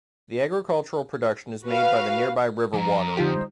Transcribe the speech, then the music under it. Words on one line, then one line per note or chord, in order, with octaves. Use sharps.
The agricultural production is made by the nearby river water.
F#4 B4 F5
F2 A#5
D3 D#4 F4 G4 C5